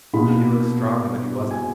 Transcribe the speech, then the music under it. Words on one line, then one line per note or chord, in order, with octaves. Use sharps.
He looked strong, but he wasn't.
B2 A#3 D#4 B5
G#5